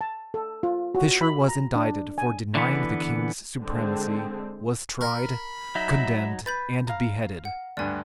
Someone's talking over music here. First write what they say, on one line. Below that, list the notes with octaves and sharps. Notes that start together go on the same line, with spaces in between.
Fisher was indicted for denying the king's supremacy, was tried, condemned, and beheaded.
A5
A4
F4
F#4
B5
A#5
D4
G#5
D3 E3 B3
D3 G#3 C4
A#4 B5
F#3 D#4 E5
B4 B5 G6 A6
F5 A#5
F#5
D2 G2 D5 G#5